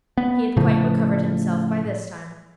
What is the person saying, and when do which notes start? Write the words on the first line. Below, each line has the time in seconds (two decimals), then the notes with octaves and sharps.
He had quite recovered himself by this time.
0.17 B3
0.57 A2 C#3 F3 A3